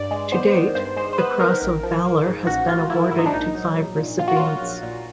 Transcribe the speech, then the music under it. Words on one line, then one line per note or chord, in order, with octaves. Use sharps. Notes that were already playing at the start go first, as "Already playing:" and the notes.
To date, the Cross of Valour has been awarded to five recipients.
Already playing: G2 D5
G#3
B3 C5
D#3
G2 C5
G#3 C5
C5
B3 B4
D#3 A#4
A1
F3
A#3
G#2
A1 F#4
F3 F4
A#3 E4
G#2 E4
D#4
D4
A#1 D#4
F#3
A#1
A#2
A#1 F4
F#4
F#3 F4
A#1
A#2